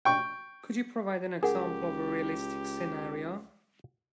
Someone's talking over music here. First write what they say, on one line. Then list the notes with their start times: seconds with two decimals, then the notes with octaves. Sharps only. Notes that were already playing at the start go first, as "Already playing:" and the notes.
Could you provide an example of a realistic scenario?
0.05 G5 C#6
1.43 C#2 G4 G#4 A#4 F#5